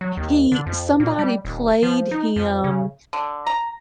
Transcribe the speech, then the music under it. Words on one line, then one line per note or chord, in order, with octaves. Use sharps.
he somebody played him,
F#3
D#2
D3
F2
A#2
G3
D#1
F3
D#4
F2
C#3
D3
A#5